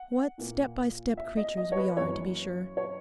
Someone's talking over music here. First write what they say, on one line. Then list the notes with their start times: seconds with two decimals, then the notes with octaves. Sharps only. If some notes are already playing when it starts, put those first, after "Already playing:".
What step-by-step creatures we are, to be sure!
Already playing: F#5
0.38 A#2 A#3
1.17 E5
1.37 D#5
1.57 D#5
1.72 C#5
1.77 B4
1.97 F#2 E3 A#3 C#5
2.77 C#5